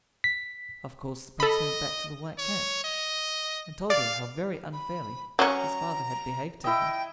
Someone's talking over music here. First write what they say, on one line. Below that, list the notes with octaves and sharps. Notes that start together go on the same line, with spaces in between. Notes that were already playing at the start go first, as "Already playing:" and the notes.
Of course, the Prince went back to the White Cat, and told her how very unfairly his father had behaved to him.
B6
A4 D#5 B5
C#5
D#5
D5 F5
B5
F#3 C#4 A#5
E4 D#5 G5